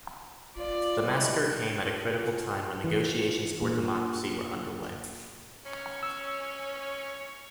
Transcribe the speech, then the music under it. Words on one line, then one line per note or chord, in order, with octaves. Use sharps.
The massacre came at a critical time when negotiations towards democracy were underway.
F4 D5
G3 G#3 E4
E3
A#2
C#4 C#5
E6